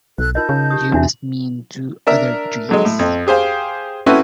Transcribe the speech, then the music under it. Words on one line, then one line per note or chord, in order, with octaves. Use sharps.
You must mean two other trees.
B1 A4 F#6
D#4 F4 A#4 D#5 A5 G6
C#3
G4 D#6
E2 D4 F#4 E5
D4 A#4 E5
D3 F#3 G#3
A2
F2
G4 G#4 C5 F5 G5
C4 C#4 E4 F#4 A4 B4